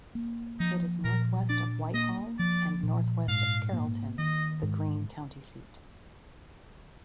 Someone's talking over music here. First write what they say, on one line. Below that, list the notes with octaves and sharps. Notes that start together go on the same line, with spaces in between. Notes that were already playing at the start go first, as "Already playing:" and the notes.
It is northwest of White Hall and northwest of Carrollton, the Greene County seat.
A#3
F3 D#4
A#2 A#4
D4 D5
A#3 D#5
F3 D5
A#2
G#2 F5
A#3
D#3 D#5
G#2